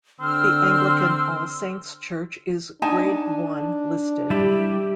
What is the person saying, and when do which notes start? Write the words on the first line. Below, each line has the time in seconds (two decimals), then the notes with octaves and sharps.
The Anglican All Saints' Church is Grade One listed.
0.20 D3 C4 E6 F6
2.82 D4 D#4 G#5 A5
4.30 G3 E4 G4